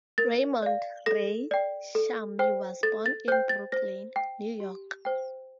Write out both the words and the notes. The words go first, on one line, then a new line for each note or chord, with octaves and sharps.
Raymond "Ray" Shamie was born in Brooklyn, New York.
A#4 A6
D5 F5
A4 A#6
D5 G5
A4
C5 G5
A4 A6
A6
C5 G5 G6
A6
C5 A#6
G5
G4
C5 G5